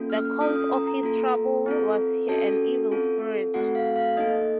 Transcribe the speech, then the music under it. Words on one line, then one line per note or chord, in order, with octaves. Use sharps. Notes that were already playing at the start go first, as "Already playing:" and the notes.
The cause of his trouble was an evil spirit.
Already playing: A#3 C#4 F4 A4
F6
F6
C#4 F4 A4 D#6
D#6
A#5
A#5
A#3 F4 A4
C4 F4 A4
C#4 F#4 A4 A5
C4 F4 A4
A3 C4 F#4 A4 F#5
F5
F5
A#3 D#4 A4 D#5